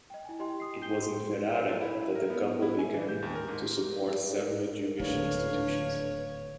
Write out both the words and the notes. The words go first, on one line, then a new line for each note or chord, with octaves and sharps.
It was in Ferrara that the couple began to support several Jewish institutions.
D#5 G5
E4 G#5
E4 G4 D#5 G5 C6
D#6 C7
G5 G6 C7 G7
C6
C5
A4
E4
A#4
B3
E4
G#5
E3
G6
D#2
A#4
G#2
A#4
D1 D#2 G#2 D3 D4 B4 C#5 F5